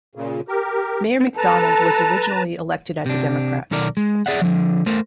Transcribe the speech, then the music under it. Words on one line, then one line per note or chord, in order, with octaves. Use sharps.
Mayor Mcdonald was originally elected as a Democrat.
A#2 C#3
G4 A#4
A4 B4 A5 A#5
C3 D4
B1 D#3 A4 A#4 D5
G#3
G#4 D5 E5 F#5
D3 F3
A3 A#4 C5